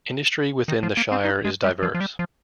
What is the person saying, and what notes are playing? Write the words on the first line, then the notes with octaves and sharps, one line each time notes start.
Industry within the shire is diverse.
D#3
F3
A#3
C4
D#4
G#3
G3
F3
F3
G3
F3